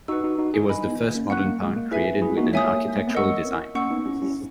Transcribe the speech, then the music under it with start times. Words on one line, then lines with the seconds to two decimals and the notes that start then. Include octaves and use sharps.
It was the first modern park, created with an architectural design.
0.08 D#4 F#4 B4 F#5 C#6 E6
0.24 D#4 F#4
0.38 D#4 F#4
0.54 E4 G#4
0.69 D#5 G#5 B5
0.85 B3 D#4
1.00 A#3
1.15 A#3 C#4
1.30 A#3 C#4 F#5 C#6 F#6
1.45 A#3
1.61 G#3
1.76 A#3
1.91 E4 G#4 B4 E5 G#5
2.22 E4 G#4
2.37 D#4 F#4
2.53 A#3 C#5 E5 G#5 D#6
3.15 A#4 D#5 F#5 C#6 E6
3.75 A#3 C#4 F#5 C#6 E6
3.91 B3 D#4
4.06 C#4 E4
4.22 C#4 E4